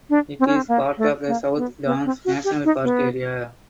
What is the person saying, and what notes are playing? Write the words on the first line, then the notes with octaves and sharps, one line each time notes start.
It is part of the South Downs National Park area.
D4
C4
C#4
C4
A#3
A3
A#3
B3
B3
C4
F#4
G4
D#4
B3